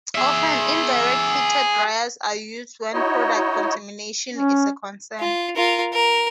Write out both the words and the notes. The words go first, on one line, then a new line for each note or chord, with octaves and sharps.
Often, indirect heated dryers are used when product contamination is a concern.
G#4 E5
D#4 E4 F#4 C#5 D#5
C#4
F4
F4 A#4
A#4